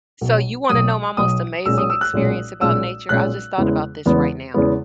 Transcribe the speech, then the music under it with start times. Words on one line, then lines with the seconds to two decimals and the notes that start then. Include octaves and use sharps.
So you wanna know my most amazing experience about nature? I just thought about this right now.
0.21 B1 B2 F#3
0.69 B1 B2 F#3 D#6
1.17 B1 B2 F#3 D#6
1.66 B1 A#2 G#3 C#4 E6
1.78 D#6
1.90 E6
2.01 F#6
2.13 B1 A#2 G#3 C#4
2.61 B1 A#2 G#3 C#4 E6
3.09 B1 A#2 G#3 C#4 F#6
3.58 E2 C#3 E3 G#3 B3
4.06 E2 C#3 E3 G#3 B3
4.54 E2 C#3 E3 G#3 B3